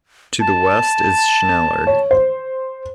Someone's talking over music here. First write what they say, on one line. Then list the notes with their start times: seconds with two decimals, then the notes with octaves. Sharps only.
To the west is Schneller.
0.40 A5
1.87 C#5
2.11 C5